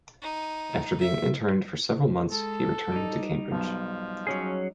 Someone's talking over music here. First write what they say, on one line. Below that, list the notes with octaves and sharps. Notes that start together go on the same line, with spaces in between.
After being interned for several months he returned to Cambridge.
D#4
E5
G#3 A4
G3 D#4
B1 F3
F#3 C#4 G#4